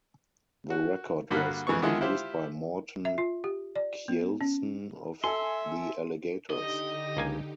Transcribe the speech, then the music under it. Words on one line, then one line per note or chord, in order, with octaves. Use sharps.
The record was produced by Morten Kjeldsen of The Alligators.
F#4
G2 D3 A#3 F#4 B5 F6
F2 E3 G#3 B3 C#6
D3 D#3 F3 G#3 E4
E4 F4 G4 C5
E5
F4
G4
D5
B3
C#4
A4 E5 G#5 C6
D3 D#4 G4 D#5
C#2 A#3 G#5